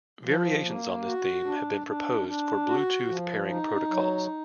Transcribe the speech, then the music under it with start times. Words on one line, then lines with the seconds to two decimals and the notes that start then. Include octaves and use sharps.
Variations on this theme have been proposed for Bluetooth pairing protocols.
0.25 F3
0.65 A#3
1.06 F#4
1.46 D4
1.87 D4
2.28 D4
2.68 F#4
3.09 F3
3.49 D#4
3.90 F#3